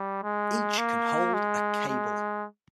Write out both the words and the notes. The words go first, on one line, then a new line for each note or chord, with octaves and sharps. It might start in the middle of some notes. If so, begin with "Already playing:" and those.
Each can hold a cable.
Already playing: G3
G#3
A#3
G#3
G#3